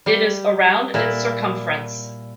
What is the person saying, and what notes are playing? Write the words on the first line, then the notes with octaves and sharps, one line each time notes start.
It is around in circumference.
G3
A#2 E4